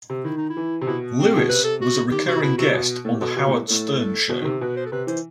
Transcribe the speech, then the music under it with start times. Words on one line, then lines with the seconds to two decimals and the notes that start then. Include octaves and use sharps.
Lewis was a recurring guest on "The Howard Stern Show".
0.10 C3
0.24 D#3 E4
0.37 D#4
0.50 E4
0.57 E3
0.81 C3
0.87 B2 E4
1.19 C4
1.37 B2
1.49 C3 B4
1.64 A4
1.81 F#4
2.11 D#3 G4
2.27 C3 F#4
2.42 B2 E4
2.58 C3 F#4
2.74 B2
3.05 A2 A4
3.14 G4
3.20 B2 A4
3.36 B2 G4
3.47 A2
3.68 A2 A4
4.29 B2
4.41 D#3
4.45 C3
4.61 B2 B4
4.77 C5
4.86 A4
4.92 C3 B4
5.07 E3 C5